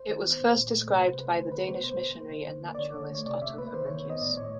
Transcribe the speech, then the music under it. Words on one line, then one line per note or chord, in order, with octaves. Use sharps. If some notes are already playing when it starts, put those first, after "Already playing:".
It was first described by the Danish missionary and naturalist Otto Fabricius.
Already playing: C5
D#3
B3
A#2
A#2
A3
C3 B4
C3 C5
A3 B4
D3 C5
D3 B4
B3 C5
B2 C5
B2
A#3
D3
D3
A#3
D5
D3 C#5
D3
A3 C#5
C3 D5
C3 E5
A#3 B4
D#3 C5
C#5
D#3
B3 D#5
A2 D5
A2 C#5